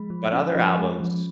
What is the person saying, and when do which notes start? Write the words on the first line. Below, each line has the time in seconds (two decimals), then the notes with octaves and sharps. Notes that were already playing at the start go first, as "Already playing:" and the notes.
But other albums,
Already playing: F3 G#3 B5
0.10 F3
0.32 C#4
0.55 F3
0.78 G#3
1.00 F3